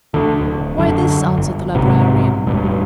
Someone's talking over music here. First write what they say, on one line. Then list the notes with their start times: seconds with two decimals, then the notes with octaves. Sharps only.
"Why this," answered the librarian.
0.14 D2 D3
0.41 D1
0.78 F#2 D3
1.37 G1
1.75 B1 G#2 C3
2.47 E1 A1 G2